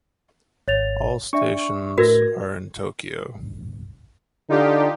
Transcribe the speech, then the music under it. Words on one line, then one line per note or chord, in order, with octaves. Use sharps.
All stations are in Tokyo.
G#1 C#5 A6 F7
D4 D5 E5 C#6
A2 F#4 A#4 B4 G#6 A#6
D3 D#4 F4 G4